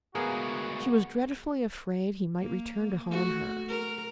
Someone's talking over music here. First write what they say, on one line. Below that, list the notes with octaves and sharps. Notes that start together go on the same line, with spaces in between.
She was dreadfully afraid he might return to harm her.
D2 G#3 A#3 B3 F#4 G#4
A#3
A3 F#4
A#4